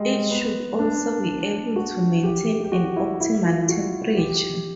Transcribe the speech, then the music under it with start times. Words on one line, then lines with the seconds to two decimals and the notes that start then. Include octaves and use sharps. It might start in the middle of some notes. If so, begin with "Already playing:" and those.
It should also be able to maintain an optimal temperature.
Already playing: G3 G#3
0.31 B3
0.79 D4
1.76 F#4
2.24 G4
2.64 G4
2.72 F#4
2.96 E4
3.20 E4
3.45 F4
3.69 F#4
4.17 G4